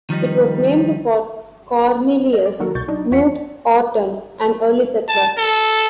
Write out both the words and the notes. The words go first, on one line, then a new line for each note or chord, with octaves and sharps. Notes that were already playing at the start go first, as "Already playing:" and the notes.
It was named for Cornelius Knute Orton, an early settler.
D#3 F3 G3 D#4
D#5
D5
D#3 F#3 A#3 F#4 A4 A#4
C2 B2 C#6 G6 A6
F#3 D4 D#4
E2 F4 C#5 F#5 B6 C#7
A5
A4